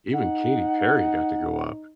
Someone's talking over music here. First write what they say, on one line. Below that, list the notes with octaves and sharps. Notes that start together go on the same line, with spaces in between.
Even Katy Perry got to go up,
D#4 F#5